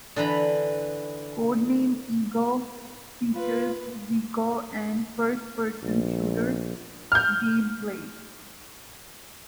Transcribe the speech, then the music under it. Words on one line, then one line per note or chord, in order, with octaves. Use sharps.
"Codename Eagle" features vehicle and first-person shooter game play.
D3 E3 B4 A#5 B5
F4 B4
A#1
F6 G6